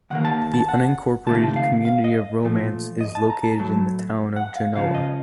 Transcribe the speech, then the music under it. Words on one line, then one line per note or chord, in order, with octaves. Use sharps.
The unincorporated community of Romance is located in the town of Genoa.
D#2 D#3 A#3 F#5
A5
A5
F#5
C#2 C3 D#3 A3 A5
F5
F5
D#5
A#2 F3 A3
D#5
A5
A#5
A5
A2 F#3 A3
F#5
F5
C#2 C#3 F3 F5
D#5